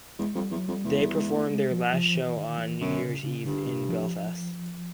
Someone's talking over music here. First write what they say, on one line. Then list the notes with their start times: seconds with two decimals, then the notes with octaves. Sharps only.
They performed their last show on New Year's Eve in Belfast.
0.19 E2 G#3
0.35 F2 G3
0.51 E2 F#3
0.68 F2 G3
0.84 E2 G#3
1.01 G3
1.17 G#3
1.33 A3
1.49 G#3
1.71 F3
1.93 F3
2.15 E3
2.37 D#3
2.58 E3
2.80 F#2 D3
3.02 C#3
3.23 C#3
3.45 G2 D3
3.67 C3
3.89 F3